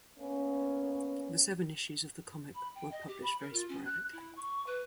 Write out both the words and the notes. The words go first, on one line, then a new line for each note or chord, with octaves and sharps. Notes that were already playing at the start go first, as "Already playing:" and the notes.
The seven issues of the comic were published very sporadically.
A#3 B3 C#4
B5
G5
D#5
G4
B5
A#4
F4
C#4
F#6
E4
C#6
B4